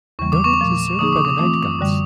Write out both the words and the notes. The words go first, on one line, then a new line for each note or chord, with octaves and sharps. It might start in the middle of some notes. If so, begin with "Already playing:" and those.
Nodens is served by the Nightgaunts.
E2 C#3 E3 G3 A#3 C#6
D6
C#6
A#2 F3 A3
D3 F3 A#3 D#4 G#4 D#6
D6
C#6
E3 A3 C4 F4 D6
F#2 D3 G3